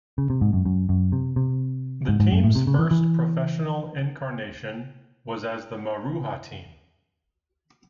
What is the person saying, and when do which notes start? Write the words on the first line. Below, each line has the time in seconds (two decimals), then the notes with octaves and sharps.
The team's first professional incarnation was as the Maruha Team.
0.18 C#3
0.30 C3
0.41 G#2
0.53 F#2
0.65 F#2
0.89 F#2
1.12 C3
1.36 C3
2.08 G#2
2.20 G#2
2.32 F#2
2.44 A2
2.55 C3
2.67 C#3
2.79 E3
2.91 E3